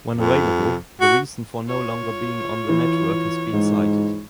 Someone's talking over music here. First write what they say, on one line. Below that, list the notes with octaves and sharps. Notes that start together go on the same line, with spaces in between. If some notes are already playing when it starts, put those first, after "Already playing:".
When available, the reason for no longer being on the network has been cited.
F2
F#4
F4 C#5
E3
G#2